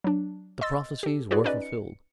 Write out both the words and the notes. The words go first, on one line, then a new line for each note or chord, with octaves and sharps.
The prophecies were fulfilled.
F#3 D4
D#5 C6 E6 A6
G4 A4
F4 F#4 G#4 B4 C#5 D5
C#4 D#4 B4 D5 D#5
C#7